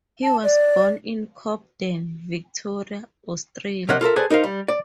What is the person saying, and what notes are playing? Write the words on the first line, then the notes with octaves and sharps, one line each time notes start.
He was born in Cobden, Victoria, Australia.
A5
D5
C3 A#4 C#5 D#5 F#5
F4 A4 A#4 E5
G#4 A4 B4 C5 D5 G#5
D#4 A#4 C5 F5
G3
D5